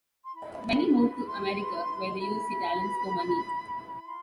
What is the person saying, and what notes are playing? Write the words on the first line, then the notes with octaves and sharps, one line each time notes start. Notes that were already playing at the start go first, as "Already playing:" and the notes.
Many moved to America, where they used their talents for money.
C6
E4 B5
B4
B4
B5
E4 C6
B4
E4
E4 B5
E4
B4
E4
E4
E4
F4 C6